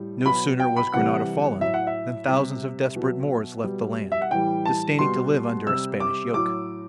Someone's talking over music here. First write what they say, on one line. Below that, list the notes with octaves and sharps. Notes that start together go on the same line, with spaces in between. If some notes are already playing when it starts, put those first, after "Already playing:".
No sooner was Granada fallen, than thousands of desperate Moors left the land, disdaining to live under a Spanish yoke.
Already playing: A2 G3
B2 F#3 B5
G5
B5
C3 E3 G3 F#5
A2 F#3 E5
F#5
E5
C3 G3
B2 F#3
B2 G3
E5
F#5
A2 E3 G3 G5
A5
B2 G3 C6
C3 G3 E6
D6
A2 F#3 D6